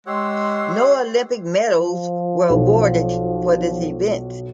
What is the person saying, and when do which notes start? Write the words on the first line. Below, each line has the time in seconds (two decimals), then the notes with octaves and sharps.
No Olympic medals were awarded for this event.
0.06 G#3 G4 C#5 F#5 C6 E6
1.80 F3
2.50 B1